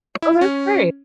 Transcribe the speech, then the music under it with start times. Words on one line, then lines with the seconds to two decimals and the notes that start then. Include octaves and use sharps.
Oh, that's great.
0.22 E4
0.41 C#4